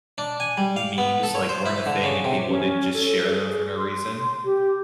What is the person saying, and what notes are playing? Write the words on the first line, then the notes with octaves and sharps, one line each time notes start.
memes, like, weren't a thing and people didn't just share them for no reason.
D4
G#5
G3
F5
B3
A4
C#5
C5
E4
D3
C#3
C3
C#4
A4
G#4
C6
G4